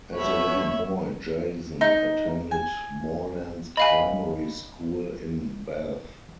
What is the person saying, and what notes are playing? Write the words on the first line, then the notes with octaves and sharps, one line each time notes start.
As a little boy, Jason attended Moorlands Primary School in Bath.
B2 C#5 E5 B5
D#4
G#5
D#5 F5 G#5 B5